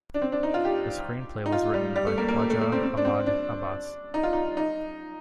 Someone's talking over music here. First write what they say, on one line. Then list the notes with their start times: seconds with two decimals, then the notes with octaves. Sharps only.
The screenplay was written by Khwaja Ahmad Abbas.
0.14 D4
0.22 C4
0.32 D4
0.43 D#4
0.54 F4
0.65 G4
1.46 D#4
1.52 F4
1.74 G3
1.96 G3
2.07 A3
2.18 A#3
2.28 A#3
2.39 A3
2.50 A3
2.61 A3
2.72 C4
2.83 C4
2.97 D4
3.05 C4
3.26 D4
4.14 D#4
4.23 F4
4.33 D#4
4.57 D#4